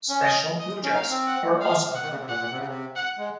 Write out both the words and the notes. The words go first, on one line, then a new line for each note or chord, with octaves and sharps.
Special pujas were also held.
C#4
D#5
D#5
C#4
D#4 F5
C4
F#5
F5
F#5
D#3
C#3
C3
A#2 F#5
A#2
C3
C#3
C3
F#5
G#3